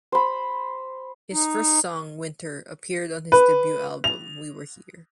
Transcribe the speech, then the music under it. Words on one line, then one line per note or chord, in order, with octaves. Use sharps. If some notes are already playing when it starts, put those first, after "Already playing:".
His first song, "Winter", appeared on his debut album "We Were Here".
C5 B5
D#4
B4
F7